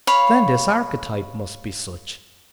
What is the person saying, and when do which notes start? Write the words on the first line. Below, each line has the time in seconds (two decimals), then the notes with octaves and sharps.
'Then this archetype must be such.'
0.07 C#5 F5 B5